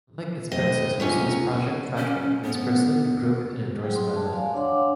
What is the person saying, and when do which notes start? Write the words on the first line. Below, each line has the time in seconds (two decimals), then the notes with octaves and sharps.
Unlike its predecessors, this project, "Flashback", was personally approved and endorsed by Lynne.
0.52 D#2 A3 C4 D#5
1.00 C3 B3 C#4 F4
1.98 C#4
2.44 B3
3.82 F#3 G#4 G5
3.96 C6
4.16 A5
4.33 D5 F5 G#5
4.54 D4 C#5 F5 F#5 C6 D6